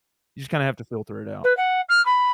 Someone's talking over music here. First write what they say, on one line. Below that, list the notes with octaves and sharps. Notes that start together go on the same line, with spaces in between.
you just kinda have to filter it out.
B4
F#5
F6
B5